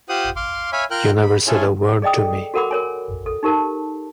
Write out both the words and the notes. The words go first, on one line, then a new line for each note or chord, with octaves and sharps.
You never said a word to me.
F4 G4 C5 F#5 D#6
F5 C6 D6
C#5 E5 F5 G#5 B5
F4 A#4 G5 F6 F#6
B5
C#4 E4 F4 G#4 A4 C#5
G#4 D5 D#5 G5 D#6
A4
F#4 A4 A#4 F#5 B5 D6
A#4 C#5 G#5
A4
D#4 G4 A#4 A5